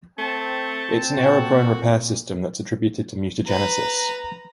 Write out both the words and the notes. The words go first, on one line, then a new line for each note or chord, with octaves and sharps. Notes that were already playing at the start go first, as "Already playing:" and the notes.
It is an error-prone repair system that is attributed to mutagenesis.
A3 C4 A5
A#2 F#4
B4 A#5